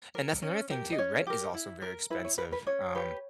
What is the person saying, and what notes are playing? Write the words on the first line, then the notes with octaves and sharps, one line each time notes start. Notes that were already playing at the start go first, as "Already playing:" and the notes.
and that's another thing too. Rent is also very expensive, um,
A#4
C#4
G4 A#4
D#5
C#4 C#5
G4 A#4
E4
A#4
E4 B4
C#5
A#4 B4
B4
C#4 C#5
G4 B4